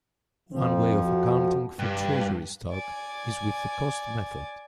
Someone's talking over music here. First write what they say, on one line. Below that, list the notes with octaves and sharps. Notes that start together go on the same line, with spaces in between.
One way of accounting for treasury stock is with the cost method.
F2 F3 C4
F#4
G2
D5 G#5